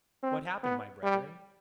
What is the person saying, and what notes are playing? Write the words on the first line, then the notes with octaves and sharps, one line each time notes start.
What happened, my brethren?
C4
B3
G3